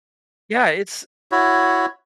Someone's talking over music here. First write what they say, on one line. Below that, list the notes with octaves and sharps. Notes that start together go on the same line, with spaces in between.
Yeah, it's
E4 F#4 C#5